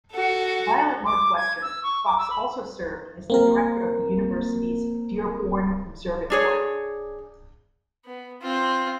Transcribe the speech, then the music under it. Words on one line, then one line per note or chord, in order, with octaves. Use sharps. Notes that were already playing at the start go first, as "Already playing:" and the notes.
While at Northwestern, Fox also served as the Director of the University's Dearborn Observatory.
F#4 A4
D6
G#6
E6
C#6
D6
E6
B5
A#3 C4 A#4
D4 G#4 C#5
B3
C4 F4